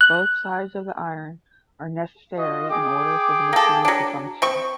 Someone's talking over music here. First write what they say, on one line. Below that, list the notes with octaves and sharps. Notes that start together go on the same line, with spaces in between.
Both sides of the iron are necessary in order for the machine to function.
F#6
F4 F#4 D#5
G#4 G5 D6
A#3 A4
F#3 D4
C4 C#6